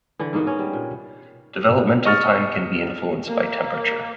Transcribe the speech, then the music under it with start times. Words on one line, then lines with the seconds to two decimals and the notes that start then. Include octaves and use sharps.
Developmental time can be influenced by temperature.
0.19 D3 E3
0.33 G#2 A#3 B3 F#4
0.47 C#4
0.59 G3
0.73 A#2
2.05 D#5 C#6 F6 A6
3.27 A#3